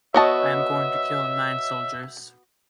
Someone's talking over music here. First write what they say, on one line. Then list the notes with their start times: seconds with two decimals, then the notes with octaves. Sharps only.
I am going to kill nine Soldiers.
0.14 B3 F#4 C#5 D#5 E5 A5